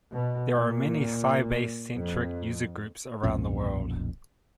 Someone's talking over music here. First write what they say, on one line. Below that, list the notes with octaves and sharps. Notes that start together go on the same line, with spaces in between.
There are many Sybase-centric user groups around the world.
B2
A#2
F2
B1 F2 A#2 C#4